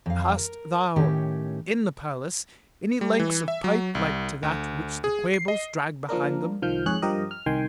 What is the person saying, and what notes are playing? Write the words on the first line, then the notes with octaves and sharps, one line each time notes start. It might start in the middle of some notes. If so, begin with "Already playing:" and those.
"Hast thou, in the palace, any lengths of pipe like to that which the Quabos drag behind them?"
F2 F5
A#4
A2 D#3 C#4 G4
G3
E3
E5
F#3
C2
D2
G#4
C7
D#5
F3 A#3 D4 A#4
C2 D#3 F3 F6 G6
F2 G#2 G#4 C#5 F#6
G2 F3 G4 A#4 D#5
F6
C2 D#3 G5 G#5 C6